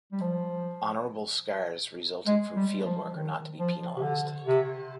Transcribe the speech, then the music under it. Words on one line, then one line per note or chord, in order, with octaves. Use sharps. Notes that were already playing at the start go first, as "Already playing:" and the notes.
Honorable scars resulting from field work are not to be penalized.
G3
F3
G#3
G3
F3
D#3
F3
C3
D3
C3